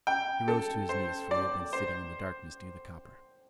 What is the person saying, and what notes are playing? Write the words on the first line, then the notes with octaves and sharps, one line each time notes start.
He rose to his knees, for he had been sitting in the darkness near the copper.
G5
A4
C5
D5
C5